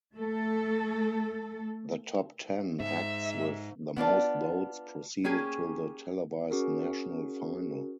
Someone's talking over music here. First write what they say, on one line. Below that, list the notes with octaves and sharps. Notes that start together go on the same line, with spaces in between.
The top ten acts with the most votes proceeded to the televised national final.
A3 A4
G#2 E5
B3 D4 F4 D5
A#3 C#4 G4 G#4
C#4 F#4 G#4 A#4